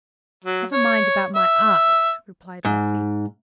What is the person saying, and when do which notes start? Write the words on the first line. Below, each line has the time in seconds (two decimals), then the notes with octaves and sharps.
"Never mind about my eyes," replied Leslie.
0.44 F#3
0.73 C#5
1.36 E5
2.65 G#2